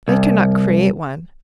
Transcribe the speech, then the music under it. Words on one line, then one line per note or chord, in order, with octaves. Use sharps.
They cannot create one.
C2